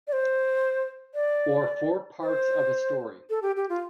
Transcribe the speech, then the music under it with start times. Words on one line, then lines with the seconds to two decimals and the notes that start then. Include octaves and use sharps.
Or four parts of a story.
0.08 D5
0.13 C5
1.15 D5
2.22 C5
3.30 A4
3.42 G4
3.57 G4
3.69 F4